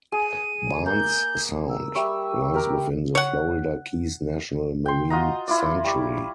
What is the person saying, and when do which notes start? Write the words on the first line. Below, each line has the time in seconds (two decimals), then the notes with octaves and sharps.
Barnes Sound lies within the Florida Keys National Marine Sanctuary.
0.12 G#4 D#7
0.86 A#3 G6
1.70 E6
1.95 G3 E5 C#6
2.54 G4 A#4 A#5
3.15 C#5 F#5
4.86 G5 C6
5.10 F4 F#4 D#5 A#5
5.48 E4 F4 D5
5.84 G3 C#6 D6